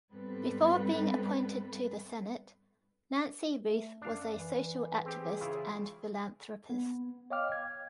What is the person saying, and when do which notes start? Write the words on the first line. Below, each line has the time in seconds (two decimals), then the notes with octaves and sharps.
Before being appointed to the Senate, Nancy Ruth was a social activist and philanthropist.
0.12 G#2 G3 B3 C4 A4 B4
3.61 A3
4.02 F#2 D4 F5
4.36 E3
5.05 C4 G4 G#4
5.41 C#3 E4 F4
6.70 B3
7.30 C#5 D#5 F5 G5 D6 F6
7.52 G#6